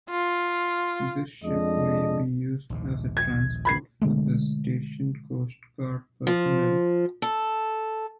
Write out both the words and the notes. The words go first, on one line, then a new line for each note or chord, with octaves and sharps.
This ship may be used as a transport for the stationed coast guard personnel.
F4
F2 G#3 D4 D#5
A#1 D#2 C3
G#6
B5 G#6 C7
B2 D3 G#3 A3
F3
A4